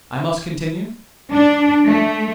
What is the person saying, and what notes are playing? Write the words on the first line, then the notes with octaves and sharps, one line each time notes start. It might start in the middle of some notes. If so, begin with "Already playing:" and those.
I must continue?
D4
A3